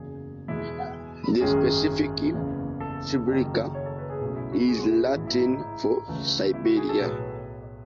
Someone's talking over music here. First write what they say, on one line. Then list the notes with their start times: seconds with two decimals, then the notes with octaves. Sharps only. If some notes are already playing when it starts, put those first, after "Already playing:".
The specific "sibirica" is Latin for Siberia.
Already playing: F#1 E2 C#3 F#3 G#4
0.48 E2 B2 G#3 E4
1.40 G#1 F#2 D#3 G#3 C#4 G#4
2.34 F#1 E2 C#3 E3
2.80 A4
3.27 F#1 F#2 D#3
3.75 C#5
3.86 A4
3.98 B4
4.10 G#4
4.21 B1 B2 F#3 A3 C#4
4.36 E4
4.52 F#4
4.68 G#4
4.79 F#4
4.91 E4
5.14 A1 G#2 E3 E4
5.27 E4
5.38 D#4
5.61 E4
6.07 C#2 C#3 E3 A3
6.54 E4
6.65 F#4
6.77 G#4
6.89 A4
7.01 B1 A2 F#3 B4